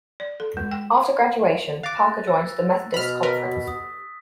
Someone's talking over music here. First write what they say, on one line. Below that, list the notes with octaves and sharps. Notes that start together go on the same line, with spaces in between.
After graduation, Parker joined the Methodist Conference.
D5
A4
G#3
G5
F5 D6 F#6 A6 A#6
E6
B2 B5 F6
A#4 B4 B6
D#6